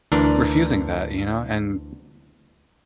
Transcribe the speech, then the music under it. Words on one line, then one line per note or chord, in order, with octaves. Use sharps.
refusing that, you know, and
D2 E3 D4 A#4